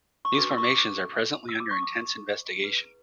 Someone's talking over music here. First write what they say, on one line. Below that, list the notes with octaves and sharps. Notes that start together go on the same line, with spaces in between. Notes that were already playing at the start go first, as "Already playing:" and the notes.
These formations are presently under intense investigation.
C#6
D4 F#4 B4 D6
E6
C#6
D6
D6
E6
D6
C#6
D6
E4 G#4 B4